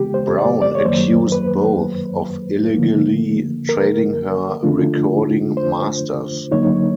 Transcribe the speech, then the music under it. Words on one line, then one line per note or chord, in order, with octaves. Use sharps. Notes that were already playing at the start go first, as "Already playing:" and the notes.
Brown accused both of illegally trading her recording masters.
Already playing: C#3 E3 G#3 B3 G4
C5
D5
D5
C#5
F#2 D#3 F#3 A#3 C5
B4
D3 F3 A#3
A#4
D3 F3 A3 D4 F4
C5
D3 F#3 A#3 D#4 C#5